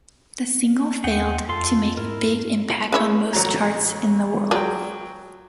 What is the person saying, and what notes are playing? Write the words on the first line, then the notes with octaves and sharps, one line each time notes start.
The single failed to make a big impact on most charts in the world.
D#2 G#4 F#5 G5
F2 F4 A4 C6
G#2 E4 A#4
G#3 E4 C#5
A1 F#3 A#5
F#3 G#3 F4 D5 G5